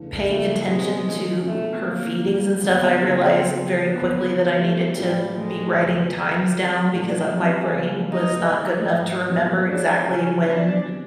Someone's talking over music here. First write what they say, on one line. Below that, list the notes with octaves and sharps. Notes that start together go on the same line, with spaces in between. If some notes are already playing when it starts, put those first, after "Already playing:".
paying attention to her feedings and stuff, I realized very quickly that I needed to be writing times down because, uh, my brain was not good enough to remember exactly when
Already playing: E2 C#3 E3 A3 D4
C#3 F3 A3 A#3 D#4 G4
B2 G3 G#3 C4 E4 G4
D#3 F#3 A3 C#4 F4
B2 G#3 A3 B3 E4
D3 F#3 A3 A#3 C4
G2 E3 G#3
F2 D3 F#3 A#3 B3 C#4
C#3 F3 A#3 C4 D#4 F#4
C#3 E3 G#3 B3
D3 F#3 A#3 B3 D4 F4
C#3 F3 A3 D4 F4
E3 G3 A3 B3 D#4 G4
A2 F#3 G3 A3 C#4 F4
A2 F#3 G#3 A3
E2 C#3 E3
F2 D3 F#3
E3 G#3 C4
A#2 F#3 A3 D4
E3 G3 C4 C#4
C#3 F#3 A#3
E2 C#3 F#3 A3 D#4
G2 D#3 G3 D#4
G#2 F3 A3
B2 G3 A#3 C#4
F3 G#3 C#4 D4
C#3 E3 G3 C#4
D#3 F#3 B3 D4 E4
D3 G3 C4 E4